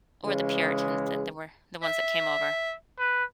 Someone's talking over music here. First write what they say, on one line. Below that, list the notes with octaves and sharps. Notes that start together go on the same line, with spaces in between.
Or the Puritans that that were the ones that came over.
C#3 E3 G#3
E5
B4